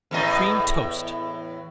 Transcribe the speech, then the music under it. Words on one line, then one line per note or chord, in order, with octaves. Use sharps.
Cream Toast.
E2 A2 D#5